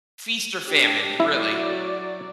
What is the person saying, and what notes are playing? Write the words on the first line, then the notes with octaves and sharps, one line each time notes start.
feast or famine, really.
D4 G4
F#3 E4 D5